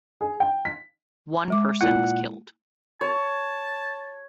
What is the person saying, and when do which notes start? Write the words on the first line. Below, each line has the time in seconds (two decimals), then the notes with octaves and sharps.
One person was killed.
0.21 G#4
0.40 G5
0.65 B6
1.50 G#3 D6
1.81 A#2 A#3 E4 F4 F#5
3.01 C#5 A5